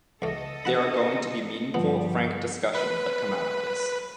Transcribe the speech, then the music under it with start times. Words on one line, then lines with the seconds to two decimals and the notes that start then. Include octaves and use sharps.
There are going to be meaningful, frank discussions that come out of this.
0.22 C#2 A3 A4 D#5
0.65 D4 F#4 F#5 B5 C#7
1.74 G2 D3 F3 G3 B3
2.75 B4